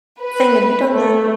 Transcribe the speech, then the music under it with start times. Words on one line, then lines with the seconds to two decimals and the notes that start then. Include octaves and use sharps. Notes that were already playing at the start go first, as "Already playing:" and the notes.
thing. Have you done that?
0.22 B4
0.92 A3